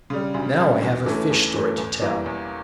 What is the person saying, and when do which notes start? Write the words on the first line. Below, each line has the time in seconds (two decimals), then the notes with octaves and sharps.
Now I have a fish story to tell.
0.10 C#3 G3
0.34 D2
0.59 C#3 G3
0.83 E2
1.06 E3 A3 C#4
1.30 E2
1.54 E3 A3 C#4
1.78 E2
2.02 E3 G3 A#3
2.26 E2